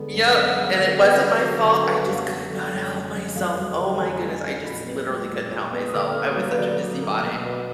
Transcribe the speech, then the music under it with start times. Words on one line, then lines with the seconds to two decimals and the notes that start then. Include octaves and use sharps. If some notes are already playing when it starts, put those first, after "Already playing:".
Yep, and it wasn't my fault, I just could not help myself, oh my goodness, I just literally couldn't help myself. I was such a busy body.
Already playing: D3 G#3 B3
0.14 F#2
0.35 B3
0.57 G#3
0.78 D3 F#5
1.00 B3
1.21 F#3
1.43 D3
1.64 D3
1.69 A#5
1.82 B3 G#5
1.95 F#5
2.07 F#2 F5
2.29 F#3
2.50 D3
2.71 F#2
2.93 F#2
3.15 F#3
3.36 F2 F5
3.57 F#3
3.79 D3
3.92 A#5
4.00 F2 G#5
4.22 F2
4.33 G#5
4.43 F#3
4.65 A#2 B5
4.86 B3
5.08 G#3
5.29 A#2
5.51 A#2
5.72 B3
5.89 D#6
5.94 D3 D6
6.10 F6
6.15 A#3
6.26 D#6
6.37 F#3
6.42 F5
6.50 B4
6.58 D3 D5
6.80 D3
7.01 A#3
7.23 B2
7.44 B3